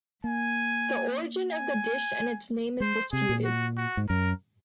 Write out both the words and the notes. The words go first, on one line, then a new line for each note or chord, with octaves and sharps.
The origin of the dish and its name is disputed.
A#3 G#5
G#5
G#3 C5
C3 G#4
A#2
F#4
F#4
G#2
F#2 A#4